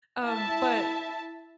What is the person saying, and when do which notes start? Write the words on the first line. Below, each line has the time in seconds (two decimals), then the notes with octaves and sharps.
um, but,
0.23 E4 E5 A5